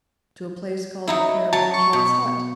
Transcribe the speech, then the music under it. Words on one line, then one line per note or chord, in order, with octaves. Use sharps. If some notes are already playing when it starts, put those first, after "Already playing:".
"To a place called the Pere Blanchard's hut?"
F#3 D#4 E4
F#3 A5
C#6
B2